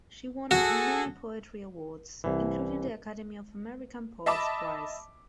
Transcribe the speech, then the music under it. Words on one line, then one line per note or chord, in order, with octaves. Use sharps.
She won many poetry awards, including the Academy of American Poets Prize.
F#4 G#4 A4
C2 E3
D#5 E5 A5 B5 D6